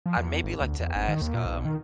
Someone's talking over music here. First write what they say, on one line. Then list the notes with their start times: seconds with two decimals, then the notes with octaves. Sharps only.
I, maybe, like to ask, um
0.06 F3
0.17 E2
0.31 E2
0.44 G#1
0.61 D2
0.79 E2
0.95 G1
1.08 D#3
1.22 D#2
1.34 A#2
1.46 B1
1.65 D#3